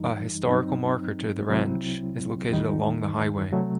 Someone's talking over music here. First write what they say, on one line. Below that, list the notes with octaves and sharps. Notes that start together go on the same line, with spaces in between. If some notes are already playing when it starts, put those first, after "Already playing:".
A historical marker to the ranch is located along the highway.
Already playing: F#2 E3 G3 D#4
G2 F#3 C4 D#4
C2 C3 F#3 C4 E4
E2 D#3 G3 D#4
C3 F#3 A3